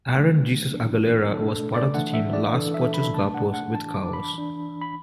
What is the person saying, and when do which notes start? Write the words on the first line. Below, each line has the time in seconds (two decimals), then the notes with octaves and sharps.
Aaron 'Jesus' Aguilera was part of the team Los Pochos Guapos with Kaos.
0.14 D3 F#3 A3 D4
0.74 E3 B3 D4
1.34 B2 A3 D4 A4
1.74 D5
1.94 E3 A3 D4 F#5
2.14 E5
2.33 D5
2.54 E3 D4 A4
2.74 E5
2.94 B5
3.13 B2 A3 D4 A5
3.34 F#5
3.54 F#5
3.74 E3 D4 A5
3.94 D6
4.13 B5
4.34 E3 D4
4.82 B5